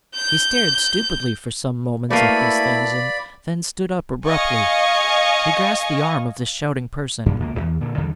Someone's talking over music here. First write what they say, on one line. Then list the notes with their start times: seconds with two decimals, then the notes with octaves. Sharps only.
He stared stupidly for some moments at these things and then stood up abruptly; he grasped the arm of this shouting person.
0.16 G6
2.10 A3 A#3 E4 F#4 B4 D5 F5 B5
4.26 D#5 F5 G#5 C#6
7.26 F#2 A#2
7.40 C#2 A#3
7.55 D1 D#2
7.81 A#2 D3
7.97 E2 D3 E3 G3